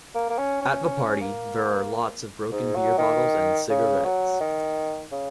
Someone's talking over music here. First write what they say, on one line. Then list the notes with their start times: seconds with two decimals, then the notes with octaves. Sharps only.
At the party there are lots of broken beer bottles and cigarettes.
0.15 A#3
0.30 A#3
0.38 C#4
0.62 C#4
0.85 C#4
1.21 A#3
2.52 G#2
2.76 F#3
2.98 D#3
3.69 C#3
4.05 F#3
4.40 D#3
5.12 C#3